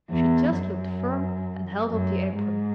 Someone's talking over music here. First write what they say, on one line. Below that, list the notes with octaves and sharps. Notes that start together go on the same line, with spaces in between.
She just looked firm and held up the apron.
E2
F#2
F#2
G#2